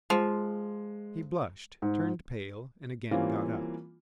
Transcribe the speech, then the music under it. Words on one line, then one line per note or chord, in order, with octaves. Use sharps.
He blushed, turned pale, and again got up.
F3 G#3
G#2
E3 G3 A#3 C4 C#4 F4